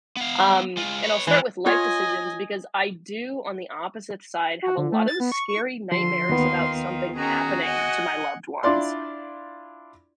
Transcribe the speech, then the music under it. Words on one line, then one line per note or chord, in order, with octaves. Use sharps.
Um, and I'll start with life decisions because I do, on the opposite side, have a lot of scary nightmares about something happening to my loved ones.
B3 F5
G#3 F4
B4 C#5
E3 G#3 D#4
F4 C#5 D#5 G#5
F#4
D3
A3
A6
B3
C#6
C#6
D3 F3 C6
D#2 D#3 B3 F4
D#3 C#4 F#4 G#4 A#5
D#5 F#5 G#5
D4 E4 F4 D5 C6